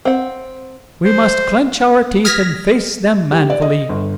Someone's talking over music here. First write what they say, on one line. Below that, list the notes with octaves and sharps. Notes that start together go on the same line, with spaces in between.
We must clench our teeth and face them manfully.
C4 F#5
C5
D#6 F6 G#6 A#6 B6
G4
D5
D#5
G1